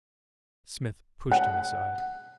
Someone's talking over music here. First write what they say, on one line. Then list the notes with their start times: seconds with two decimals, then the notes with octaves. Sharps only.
Smith pushed him aside.
1.31 F#5